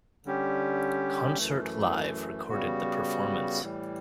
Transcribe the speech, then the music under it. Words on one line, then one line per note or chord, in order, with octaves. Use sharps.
Concert Live recorded the performance.
D3 G3 C#4 G4
F#2 E3 A3
C#3 G3 B3 F#4
A2 E3 G3